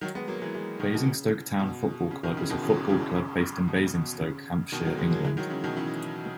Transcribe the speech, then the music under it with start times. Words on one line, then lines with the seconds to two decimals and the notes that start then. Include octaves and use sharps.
Basingstoke Town Football Club is a football club based in Basingstoke, Hampshire, England.
0.01 D#3 F#3
0.15 G#3 B3
0.28 F#3 A#3
0.41 E3 G#3
0.55 E3 G#3
0.80 B2 D#3
0.93 B2 D#3
1.06 C#3
1.59 B2
2.11 C#3
2.23 B2 D#3
2.37 C#3 E3
2.49 B2 D#3
2.63 C#3 E3
2.89 C#3 E3
3.09 B2
3.15 C#3
3.68 B2
3.94 B2
4.20 C#3
4.72 B2 D#3
4.85 D#3 F#3
4.97 E3 G#3
5.10 F#3 A#3
5.24 E3 G#3
5.37 D#3 F#3
5.50 C#3 E3
5.64 B2 D#3
5.77 C#3 E3